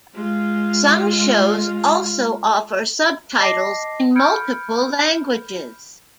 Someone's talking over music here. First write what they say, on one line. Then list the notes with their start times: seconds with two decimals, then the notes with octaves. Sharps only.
Some shows also offer subtitles in multiple languages.
0.14 G#3 F4
3.39 D#5 A5 D6 A#6 C7
4.15 B5 F6 G6 G#6 C#7 D7